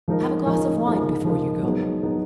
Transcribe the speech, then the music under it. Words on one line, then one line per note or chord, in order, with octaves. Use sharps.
"Have a glass of wine before you go."
F3 G#3 D#4 A#4
F3 G#3 D#4 A#4
F3 G#3 D#4 A#4
F3 G#3 D#4 A#4
F#3 B3 D#4 G#4
F#3 B3 D#4 G#4